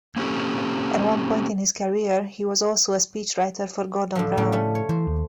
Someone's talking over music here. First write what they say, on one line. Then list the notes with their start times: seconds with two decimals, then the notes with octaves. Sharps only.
At one point in his career he was also a speechwriter for Gordon Brown.
0.16 A#3 C4 C#4 G4 A4
4.15 A2 D3 F3
4.37 A2 C#3 F3 G3
4.52 A3 C#4
4.75 C#5
4.89 E3 C5
5.07 D#2